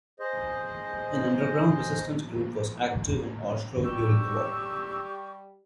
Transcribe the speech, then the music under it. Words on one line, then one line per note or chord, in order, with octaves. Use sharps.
An underground resistance group was active in Ostrov during the war.
G#4 C5 D#5
G3 G4 C#6 E6